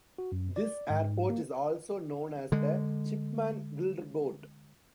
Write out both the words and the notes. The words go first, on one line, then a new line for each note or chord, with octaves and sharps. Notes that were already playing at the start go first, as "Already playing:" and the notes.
This airport is also known as the "Chipman Gliderport".
F#4
F#2
D5
G#2
A#3
D3 G#3